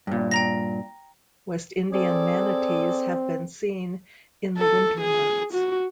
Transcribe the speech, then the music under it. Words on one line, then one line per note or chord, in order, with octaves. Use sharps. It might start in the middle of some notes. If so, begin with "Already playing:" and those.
West Indian manatees have been seen in the winter months.
G2 A#2
G5 A#5 A#6
C4 G#4 A4 D5
A4
G#4
F#4